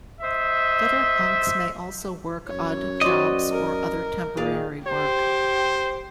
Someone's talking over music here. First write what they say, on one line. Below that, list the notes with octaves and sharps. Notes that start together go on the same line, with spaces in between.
Gutter punks may also work odd jobs or other temporary work.
C5 D#5 E5
F#2 C#5
F#4 C5 D5 D#5
A#4
A#2 G#4 D5 F5
G4 C5